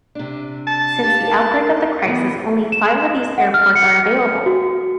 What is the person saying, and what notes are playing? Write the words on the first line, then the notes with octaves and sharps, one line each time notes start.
Since the outbreak of the crisis, only five of these airports are available.
C3 D4
A5
G4 F5
A#4
E3 B3
E7
F#5
F6
C#7
F#4